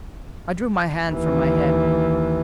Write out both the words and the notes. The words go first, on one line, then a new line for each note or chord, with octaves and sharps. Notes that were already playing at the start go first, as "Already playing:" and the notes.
I drew my hand from my head.
D#2 E3